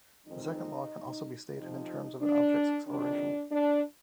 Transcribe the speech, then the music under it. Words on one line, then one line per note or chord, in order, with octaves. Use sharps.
The second law can also be stated in terms of an object's acceleration.
F2 D#3 G#3 C4 D#4
F2 C3 F3 D#4
D4
F2 C3 D#3 D4
D4